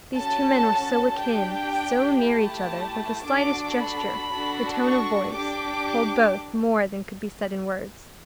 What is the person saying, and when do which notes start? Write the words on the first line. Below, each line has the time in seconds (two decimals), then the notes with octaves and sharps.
These two men were so akin, so near each other, that the slightest gesture, the tone of voice, told both more than could be said in words.
0.15 C#4 F#4 A4 A5
1.18 D4 G4 G5
2.22 A3 E4 G4 A5
3.26 D4 F#4 A4 D6
3.78 B5
4.30 D4 F#4 A4
4.82 C#6
5.33 D4 G4 D6